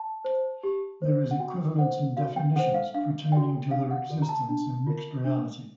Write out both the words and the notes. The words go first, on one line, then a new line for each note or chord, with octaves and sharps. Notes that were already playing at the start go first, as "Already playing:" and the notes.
There is equivalence in definitions pertaining to their existence in mixed reality.
Already playing: A5
C5
G4
C5
F#5
F#4 G5
A4 C5 F#5
F#4 F5
G5
A4 C5 F#5
F5
D4 F5
F#4 A4 D5 G5
D4 F5
F#5
F#4 A4 D5
A#5
A5
D4
F4 A#4
D4